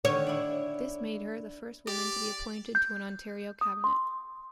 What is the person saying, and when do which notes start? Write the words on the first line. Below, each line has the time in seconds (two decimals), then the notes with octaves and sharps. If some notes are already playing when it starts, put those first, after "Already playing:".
This made her the first woman to be appointed to an Ontario cabinet.
0.05 D3 D#3 C#5
0.26 D4 E4
1.87 G4 D5
2.75 G6
3.61 D#6
3.84 C6